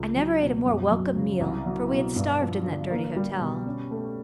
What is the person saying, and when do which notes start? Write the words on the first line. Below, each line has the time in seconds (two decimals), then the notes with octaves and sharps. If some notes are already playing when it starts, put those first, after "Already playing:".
I never ate a more welcome meal, for we had starved in that dirty hotel.
Already playing: C#2
0.16 F#3
0.41 B2
0.66 F#2
0.91 F#3
1.16 C#3
1.41 C2
1.66 F#3
1.91 B2
2.16 G2
2.41 F3
2.66 D3
2.91 A#3
3.16 G3
3.41 B2
3.66 C#4
3.91 A3